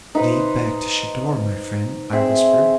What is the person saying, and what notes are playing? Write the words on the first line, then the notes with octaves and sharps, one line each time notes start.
"Lead back to Shador, my friend," I whispered.
D#4 B4 C5
C4 G#4 E5